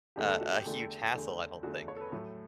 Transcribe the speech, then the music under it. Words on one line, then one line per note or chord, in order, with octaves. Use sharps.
a a huge hassle, I don't think.
E2 D3 A3 G4
A4
F#4
G4
E2 D3 A3
E2 D3 A3
E2 D3 A3 F#4
C#5
A4
B4
A2 F#3 A3 A4